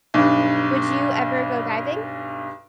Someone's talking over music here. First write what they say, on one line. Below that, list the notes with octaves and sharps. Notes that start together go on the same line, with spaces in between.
Would you ever go diving?
B1 G2